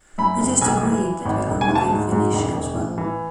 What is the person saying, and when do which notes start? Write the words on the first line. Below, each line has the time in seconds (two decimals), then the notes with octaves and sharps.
It is to Green that we owe the Venetian swell.
0.18 F#2 B5
0.40 F#1
0.61 B1 G#5
0.83 E3
1.04 E3
1.25 G#1
1.48 E1
1.61 G#5
1.69 D2
1.75 A5
1.90 G#2
2.12 G#2
2.33 E1
2.54 E1
2.75 A1
2.98 E3